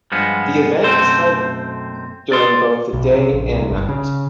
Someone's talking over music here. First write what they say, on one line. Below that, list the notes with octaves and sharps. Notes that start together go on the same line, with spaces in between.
The event is held during both the day and night.
G2 F3 G#3 B3
F#2 B2 A3 C4 C5
D5 C6
B1
C3
A#1
C2
G1
C#3